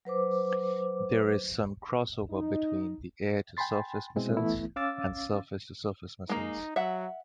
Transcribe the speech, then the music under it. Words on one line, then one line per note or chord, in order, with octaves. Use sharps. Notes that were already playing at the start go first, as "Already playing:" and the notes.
There is some cross-over between air-to-surface missiles and surface-to-surface missiles.
F#3 B4 C5 D6
D#4
G5 G#5 B5 C6 A6
B2 G#3 C4 E4
E3 A3 B3 E4
C#4 F5 D6 E6 A6
G#3 A#3 D#4
F#3 E5 F#5